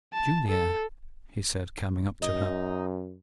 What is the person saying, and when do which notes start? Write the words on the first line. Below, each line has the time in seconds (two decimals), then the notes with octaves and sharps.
"Julia," he said, coming up to her.
0.13 A5
0.48 A4
2.22 F#2 D#4